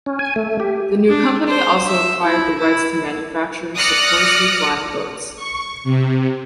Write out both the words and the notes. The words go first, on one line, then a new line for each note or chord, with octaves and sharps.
The new company also acquired the rights to manufacturing Sikorsky flying boats.
C#4
G#5
A3
G4
D4
C5
E5
E4
E4
D5 D#6 F6 F#6 A#6 C#7
C#6
C3